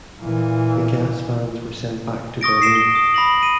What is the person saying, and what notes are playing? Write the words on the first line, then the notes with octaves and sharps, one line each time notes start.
The gas vans were sent back to Berlin.
A#2 E3
C#6 D#6 A#6 D7
C7 D7 E7
G7
D#6
B5 A#6 F#7
D#7